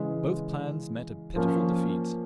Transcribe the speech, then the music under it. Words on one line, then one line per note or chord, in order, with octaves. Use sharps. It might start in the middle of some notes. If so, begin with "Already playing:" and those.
Both plans met a pitiful defeat.
Already playing: C#3 E3 G#3
F3 A#3 C#4